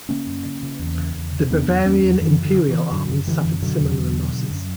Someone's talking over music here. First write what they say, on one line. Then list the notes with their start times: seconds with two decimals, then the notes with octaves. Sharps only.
The Bavarian-Imperial army suffered similar losses.
0.09 C#3 A#3 C#4
0.27 F#2
0.45 C#3
0.63 C#3
0.79 E2
0.98 C#3
1.16 E2
1.33 C#3
1.50 E2 B3 D4
1.68 E2
1.86 E2 A#3 C#4
2.03 E2
2.21 F#2 E3
2.38 C#3
2.45 D3
2.56 C#3
2.68 E3
2.73 C#3
2.91 F#2 D3 F#3
3.09 F#2
3.27 D3 E3 G3
3.45 F#2
3.62 B2 D3 F#3
3.80 E2
3.97 E2
4.16 B2
4.33 D3
4.50 F#2